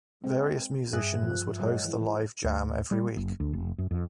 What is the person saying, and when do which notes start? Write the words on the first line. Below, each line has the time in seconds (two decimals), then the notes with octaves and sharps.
Various musicians would host the live jam every week.
0.24 G#3 C4
0.93 G2 G#4 E5 F#6
1.23 F3
1.60 F#3 G#3
1.85 E3
2.01 E3
2.44 D2
2.91 G3
3.17 F#1
3.40 D2
3.53 F1
3.78 F#2
3.91 F2